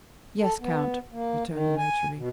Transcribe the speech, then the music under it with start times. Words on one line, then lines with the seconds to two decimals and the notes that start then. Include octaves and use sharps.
"Yes, count," returned the notary.
0.40 A4
0.60 B3
1.12 A#3
1.48 D#3
1.78 G#5
2.16 B2